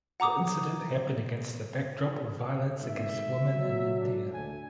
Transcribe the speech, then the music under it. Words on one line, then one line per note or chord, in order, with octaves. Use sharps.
The incident happened against the backdrop of violence against women in India.
F#5 A#5 D6 D#6
G#1 E5
F#3
D4
D2 G#5